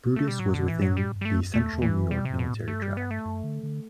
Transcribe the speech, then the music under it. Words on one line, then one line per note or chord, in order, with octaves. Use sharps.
Brutus was within the Central New York Military Tract.
A3
B2 G3
A2 F#3
D3
B2
A2 E3
F#3
A2 G3
G2
G3
A3
F#2
E2 A3
E2
E3
F#2
B2 G3
A2 C3
B2
A2
G2 A3
G3
B3
A3
F#2
D3
D3